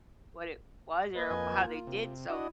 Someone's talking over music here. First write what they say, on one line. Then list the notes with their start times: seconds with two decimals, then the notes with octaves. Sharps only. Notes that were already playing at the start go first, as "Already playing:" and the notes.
what it was or how they did, so,
1.15 A#3 B4 D#5
1.30 F2 G#5
1.59 F4
1.87 C3
2.30 D4 E4 F#4 D#5